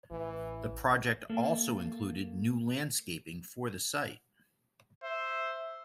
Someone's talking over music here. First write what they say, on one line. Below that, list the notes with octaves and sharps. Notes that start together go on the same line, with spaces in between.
The project also included new landscaping for the site.
A1 E3
A#3 A4
C5 E5